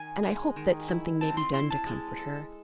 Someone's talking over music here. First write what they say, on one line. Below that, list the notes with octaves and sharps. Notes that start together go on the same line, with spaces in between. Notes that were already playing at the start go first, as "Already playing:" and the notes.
And I hope that something may be done to comfort her.
Already playing: D#3 G#5
G#3
D#3
E4
C4 A5
C6
E4 C6
A5
G#3
A4